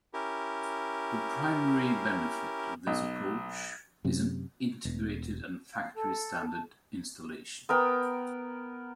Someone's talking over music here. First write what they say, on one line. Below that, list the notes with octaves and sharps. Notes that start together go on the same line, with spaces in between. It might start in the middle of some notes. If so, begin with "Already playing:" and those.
The primary benefit of this approach is an integrated and factory-standard installation.
C#4 E4 G4 A#4
B1
F#2 C3
E1
F5
A4
A5
B3 A#4 G5